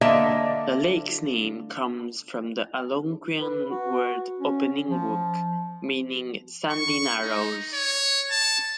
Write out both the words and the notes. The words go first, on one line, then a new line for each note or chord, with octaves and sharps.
The lake's name comes from the Algonquian word "opeauwingauk" meaning "sandy narrows".
D3 A#3 D#5 E5 A5
B4
F#4
C#4
F3
C#6
D#4
C#5
A5